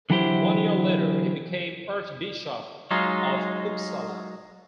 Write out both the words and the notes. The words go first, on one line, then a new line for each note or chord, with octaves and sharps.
One year later he became Archbishop of Uppsala.
D3 E3 F#3 E4 G4 C5
F#3 G#3 D#4 F4